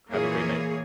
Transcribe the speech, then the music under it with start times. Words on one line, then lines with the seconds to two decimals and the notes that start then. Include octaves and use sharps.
Have a great night.
0.11 A#2 E3 A#3 G#4 C#5